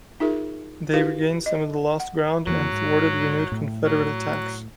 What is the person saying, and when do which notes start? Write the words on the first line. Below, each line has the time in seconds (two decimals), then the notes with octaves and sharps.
They regained some of the lost ground and thwarted renewed Confederate attacks.
0.20 D#4 F4 G#4 A#4 E5
0.94 E4 F#4 G4 B4 F5
1.46 D#5
2.00 F#5
2.47 F2 E3 F#3 A#3
2.72 G#2
3.52 A2
3.85 F#3